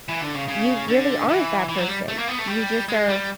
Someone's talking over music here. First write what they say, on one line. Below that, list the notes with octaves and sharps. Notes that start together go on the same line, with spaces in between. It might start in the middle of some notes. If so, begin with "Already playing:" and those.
you really aren't that person. You just are
E3
D3
C#3
C#3
D3
E3
E3
F#3
G3
A3
A#3
B3
A3
G3
G#3
G3